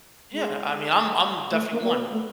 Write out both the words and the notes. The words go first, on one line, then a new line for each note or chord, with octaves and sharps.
yeah, I mean, I'm I'm definitely one.
G#3
A3
A#3
A#3
B3
A3